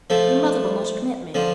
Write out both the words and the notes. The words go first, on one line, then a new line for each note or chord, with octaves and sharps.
"Your mother will not admit me."
F3 A3
D3 F3